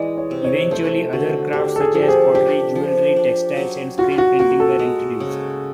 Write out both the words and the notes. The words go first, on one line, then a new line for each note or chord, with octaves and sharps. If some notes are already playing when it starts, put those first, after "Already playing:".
Eventually other crafts such as pottery, jewellery, textiles and screenprinting were introduced.
Already playing: E3 G#3 D5 D#5
C#5
C3
C#5
A3 C5
D3 F#4
D4 G4
A4
G#4
F3
G4
G#4
D4 G4
F3
D4
F#3
F4 F#4
F#4
A#3 F#4
A4
G#3
C#3